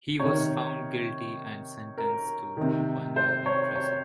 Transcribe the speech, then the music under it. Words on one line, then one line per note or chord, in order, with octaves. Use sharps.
He was found guilty and sentenced to one year in prison.
C3 D#3 C#5
A#4
C3 D#3
C5
C#5
C#5